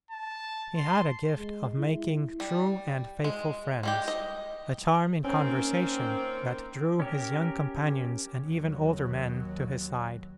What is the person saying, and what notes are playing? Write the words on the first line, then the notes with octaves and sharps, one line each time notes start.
He had a gift of making true and faithful friends, a charm in conversation that drew his young companions and even older men to his side.
A5
C6
G#3
E4
G3
G#3
G3 G#3 G4
D#5
D#3 A#3 C4 C#4
C#4 G4 A#4
D#2 F#3